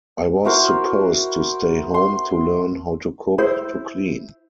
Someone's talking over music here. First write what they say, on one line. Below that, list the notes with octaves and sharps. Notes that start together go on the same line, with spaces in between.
I was supposed to stay home to learn how to cook, to clean.
E4 F#4 A#4 C5
C6
E4 C5